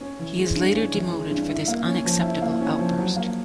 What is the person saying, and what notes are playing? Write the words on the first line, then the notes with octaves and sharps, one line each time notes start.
He is later demoted for this unacceptable outburst.
C#4
E3
G#3
G2
C#4
E3
G#3
G2
E4
A#3
C#4
F3
E4
A#3
C#4
F3
F#3
A#3